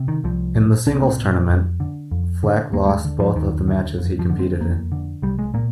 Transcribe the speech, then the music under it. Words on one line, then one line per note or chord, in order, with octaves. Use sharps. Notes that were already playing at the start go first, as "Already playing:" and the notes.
In the singles tournament, Flack lost both of the matches he competed in.
Already playing: C3
D#3
C2 F3
A#2
C2 D4
C4
A#3
C4
A#2
F2
D3
F2
D3
D#2 A#3
G3
G#3
D3
F3
D#2 D#3
D3
F2
F3
D3
C4
F2 A#3
D3
C2 G3
G#3
A#2 A#3